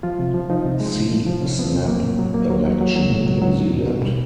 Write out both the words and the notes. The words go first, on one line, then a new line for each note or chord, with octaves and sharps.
See Snap election, New Zealand.
F3 F4
C3
F3
F3 D#4
C3
G#3
C3
F3
F3
C3 C#4
F3 B3
C4
C3
F#3 A#3
A2
F#3
F#3 A#3
F#3
F#3
F#3
F#3
A2
F#3
F#3
A2
B2
B2
G3